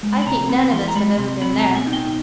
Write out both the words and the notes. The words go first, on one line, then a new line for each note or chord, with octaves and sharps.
I think none of us have ever been there.'
G#3
B5
C3 A#5
C4 B5
E3 C6
A#5
G#3 B5
C3 C6
C4 B5
B2 A#5
G#5
D#4
G5